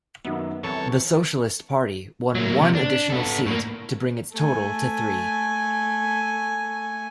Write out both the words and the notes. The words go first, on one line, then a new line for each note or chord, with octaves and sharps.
The Socialist Party won one additional seat to bring its total to three.
F#2 D#3 F#3 B3
C2 E3 A4 C#5
F#3 A#3
C3
D4
B3 A4
A2 A#3
A3 G#5